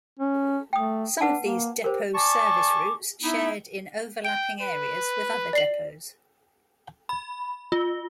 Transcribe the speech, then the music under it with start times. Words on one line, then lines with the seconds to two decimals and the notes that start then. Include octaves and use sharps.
Some of these depots service routes shared in overlapping areas with other depots.
0.20 C#4
0.73 A3 G5 D#6
1.21 D4 B4 F#5 A5
1.41 A#3
1.84 G4 A#4 C5
2.15 D5 G#5 A5 C#6 D6
3.22 B3 D#4 E4
4.25 G5 D7
4.61 B4
5.53 D5 C7 F#7
7.09 B5
7.72 F4